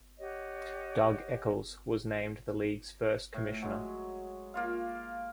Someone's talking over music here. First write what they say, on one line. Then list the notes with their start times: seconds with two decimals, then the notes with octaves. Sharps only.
Doug Echols was named the league's first Commissioner.
0.19 G4 C#5 D#5 F#5
3.34 A2
3.62 F#3 G#3
4.54 A#3 F4 F5